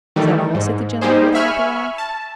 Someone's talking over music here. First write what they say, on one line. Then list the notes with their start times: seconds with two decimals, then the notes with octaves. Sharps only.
"Is that all?" said the gentleman with a happy laugh.
0.16 D#3 E3 G3 A3
0.55 G#2
1.01 G3 D#4 G4 G#4 C5
1.35 E5 G#5 B5 C#6 F6
1.98 A5